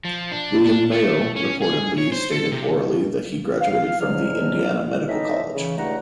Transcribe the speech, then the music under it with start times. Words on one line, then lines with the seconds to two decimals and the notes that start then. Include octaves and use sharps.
William Mayo reportedly stated orally that he graduated from the Indiana Medical College.
0.05 F3
0.32 D4
0.65 D4
0.92 A3
1.36 C#4
1.62 G#4
1.98 C#5
2.12 C5
2.32 A4
2.52 C3
3.61 F5
3.99 E2 G#2 F#3 D4 F6
5.08 A2 E3 D#4 D#5 E5
5.54 C#3 E3
5.77 C#2 G2 A3 D#4 F#5 A#5